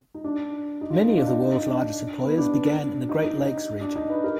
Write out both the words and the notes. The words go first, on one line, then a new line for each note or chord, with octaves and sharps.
Many of the world's largest employers began in the Great Lakes region.
D#4
D4
D#4
F4
F4
D#4
D4
D#4
D4
B3
D4
D#4
D#4
D#4
D4
D#4
B4
A#4